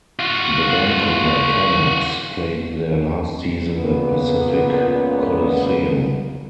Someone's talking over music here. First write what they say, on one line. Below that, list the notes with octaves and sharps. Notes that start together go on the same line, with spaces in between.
The Vancouver Canucks played their last season at Pacific Coliseum.
F4 F#4
C#2 A#2 B3